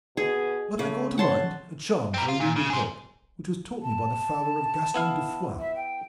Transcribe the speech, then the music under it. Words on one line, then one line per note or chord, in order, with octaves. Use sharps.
But I call to mind a charm for a wounded hawk which was taught me by the fowler of Gaston de Foix.
B2 G#4
C#3 A3
C#5 F#5 A5 C6
C4 A#4
F4
A#2
C#3
G#4 C5
A5
B3 E4 F5
E5
G5